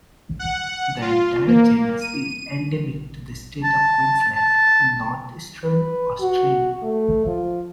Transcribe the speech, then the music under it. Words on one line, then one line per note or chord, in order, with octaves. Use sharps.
The entire genus is endemic to the State of Queensland in northeastern Australia.
F#5
F4
A#3
D#7
A5
A5
B4
F#4
A3
F3